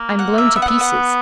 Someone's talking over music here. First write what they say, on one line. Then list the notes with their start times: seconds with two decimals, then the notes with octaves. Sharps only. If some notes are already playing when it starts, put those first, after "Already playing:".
'I'm blown to pieces.
Already playing: A#3
0.19 F#5
0.38 E5
0.56 B3 E5
0.62 F#5
0.68 E5
0.81 F#5